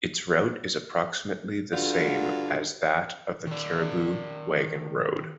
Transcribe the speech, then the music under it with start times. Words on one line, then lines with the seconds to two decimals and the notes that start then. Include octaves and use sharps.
Its route is approximately the same as that of the Cariboo Wagon Road.
1.73 G2 D3 F4 F#4
3.47 D#3 D5